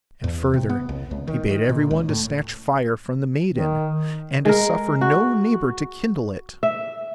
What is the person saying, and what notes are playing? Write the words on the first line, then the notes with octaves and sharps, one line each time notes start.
And further, he bade every one to snatch fire from the maiden, and to suffer no neighbour to kindle it.
E2
C3
B3
C2
C#2
D#3
D#3
A#2
C#2
A2
D#3
G#3 A#4
F#4
E5